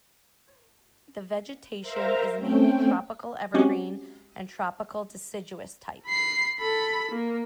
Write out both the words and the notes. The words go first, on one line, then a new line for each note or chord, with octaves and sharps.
The vegetation is mainly Tropical Evergreen and Tropical Deciduous type.
A#4 C5 E5 F5 A#5
A3 C4 C#4 G5
F#3 G#3 C4 C#4 F#4 G4
B5 C7
A4 B5
A#3